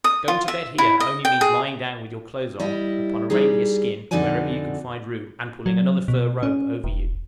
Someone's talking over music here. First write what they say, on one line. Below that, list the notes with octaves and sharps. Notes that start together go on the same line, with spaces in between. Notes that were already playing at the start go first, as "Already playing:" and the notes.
Going to bed here, only means lying down with your clothes on, upon a reindeer skin, wherever you can find room, and pulling another fur-robe over you.
D#6
F4
E5
E4
D#5
G5
G#4
G3 E4 D#5
G3 D#4 G#4
F2 D3 D#4 F#4 D5 G#5
F#3
B2
C#4
E1